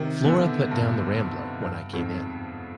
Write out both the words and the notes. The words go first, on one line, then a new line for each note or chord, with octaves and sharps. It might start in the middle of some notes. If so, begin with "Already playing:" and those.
Flora put down the Rambler when I came in.
Already playing: C3 D#3
B2 D3
G2
G2
F2 G#2